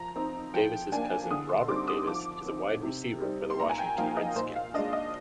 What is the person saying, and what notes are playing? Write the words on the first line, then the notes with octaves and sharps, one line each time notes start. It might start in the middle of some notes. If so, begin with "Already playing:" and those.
Davis' cousin, Robert Davis, is a wide receiver for the Washington Redskins.
Already playing: F3 A#5
C4 D#4
F3 G5
A#3 D4 G#5
D3 D#6
C6
C6
G3 C4 D#4 D6
D#6
F3 D6
C4 D#4
C3
G3 C4 D#4
C6
A#2 A#5
G#5
G5
F3 A#3 D#4 F5
D#5
A#2 C5
F5
G#3 D4 D#5
D#5